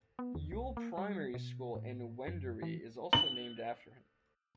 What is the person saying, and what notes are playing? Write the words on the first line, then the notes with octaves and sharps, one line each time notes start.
Yuille Primary School in Wendouree is also named after him.
B3
E2
C2
A#3
G3
B2
A2
F#2
E3
F#7